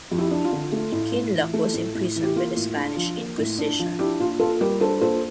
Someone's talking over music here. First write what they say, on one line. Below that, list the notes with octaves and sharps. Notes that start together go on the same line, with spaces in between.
Kinloch was imprisoned by the Spanish Inquisition.
F2
E4 G4
D4
F4
D3
A3
A2
A2
E3
A3
A2
A2
E3
G4
A#3 F4
A2
D4
F3
A#3
A2
D4
F3
D4 E4 G4
A#2 F4
A#2 F4 A4
G3 G4 A#4
D4 A4 C5
A#2 A4 C5